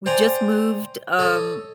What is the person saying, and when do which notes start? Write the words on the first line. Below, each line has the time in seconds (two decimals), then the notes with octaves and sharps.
we just moved, um,
0.06 C5 D5 G5 G#5 A#5
1.19 A4 C#5 D#5